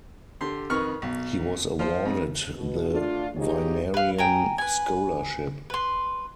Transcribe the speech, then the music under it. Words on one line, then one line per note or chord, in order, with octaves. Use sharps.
He was awarded the Vinerian Scholarship.
D3 G4 C6
F2 D#3 B4 C#6 F6
B1
F3 C5
F2
B2
A3 D4 F4
D#2 F3 D#4 G4 G#4 C#5
B4 F5
G5 G#5 A#5
B4 G#5
B4 C6